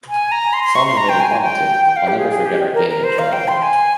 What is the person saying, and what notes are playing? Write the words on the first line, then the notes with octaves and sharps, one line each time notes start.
Salming later commented, I'll never forget our game in Toronto.
G#5
A#5
C6
C6
C#6
C6
A#5
G5
G#5
G#5
G5
G5
F5
G4
G#4
G#4
G4
A#4
A#4
C5
F5
G5
C6
G#5